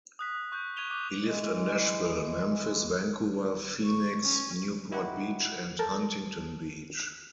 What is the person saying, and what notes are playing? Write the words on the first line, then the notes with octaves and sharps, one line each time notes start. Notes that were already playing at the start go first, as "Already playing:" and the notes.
He lived in Nashville, Memphis, Vancouver, Phoenix, Newport Beach and Huntington Beach.
D#6 F#6 B6
C#6 F#6 G6
C#6 G#6 D#7 F7 G7
D6
E3 G#3
C#6
C#4
D#4 E4 F#4 G4 F#5
A4 A#4 C5 A5